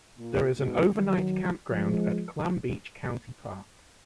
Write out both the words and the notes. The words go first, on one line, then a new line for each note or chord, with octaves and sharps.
There is an overnight campground at Clam Beach County Park.
A#2
G#2 B2
D#3 F#3
F3 G#3